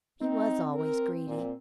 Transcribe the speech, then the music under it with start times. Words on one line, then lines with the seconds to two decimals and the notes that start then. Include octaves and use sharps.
He was always greedy.
0.21 C4 D#4
0.74 A#4
1.28 A#2